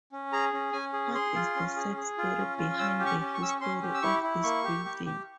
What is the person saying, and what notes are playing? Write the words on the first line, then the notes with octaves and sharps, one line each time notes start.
What is the sad story behind the history of this building?
C#4
G#4 A#5
C#4
C#4 G#5
G#4
G#4 C6
F4
C#4
G#4
G#4
F4
C#4
F4
C#4 E6
G4
C#6
C#4
C#6
C#4 E6
C#6
C#4 C6
G4
E6
E4 C#6
E4
A#3 C#6
G4
G4
G4